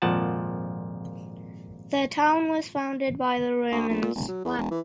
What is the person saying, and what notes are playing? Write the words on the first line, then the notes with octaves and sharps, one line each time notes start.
The town was founded by the Romans.
G#1 F2 A#2 F3 F#5 A5
D2
A#1
A#2
E1
F#3
E2
E1
E3